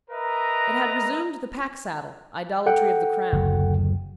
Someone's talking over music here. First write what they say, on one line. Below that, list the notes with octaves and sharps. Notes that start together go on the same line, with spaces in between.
It had resumed the pack-saddle, idolatry of the crown.
A#4 B4 D#5 E5 A#5
A4 F#5 G5
F#1 D2 F#3